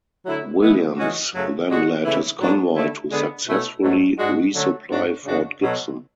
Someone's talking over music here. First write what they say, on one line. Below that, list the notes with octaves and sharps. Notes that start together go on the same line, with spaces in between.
Williams then led his convoy to successfully resupply Fort Gibson.
D3 F#3 A3 E4
E3 G#3 B3 E4
E3 G#3 C#4 F#4
F#2 C#3 F#3 A3
A2 G#3 D4 F#4
C#3 E3 A3 E4
A2 F#3 B3 D4 F#4
D3 A3 E4
D3 G#3 B3
B2 A3 C#4 E4
G#2 F#3 A3
G#2 G#3 D4 F#4
D3 F#3 A3
G#2 F#3 A3 D4 F#4
F#2 C#3 G#3 D4 F#4
B2 F#3 A3